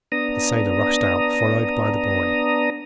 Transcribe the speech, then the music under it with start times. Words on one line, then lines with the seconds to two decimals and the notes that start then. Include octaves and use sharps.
The sailor rushed out, followed by the boy.
0.12 B3 D4 A#5 D#6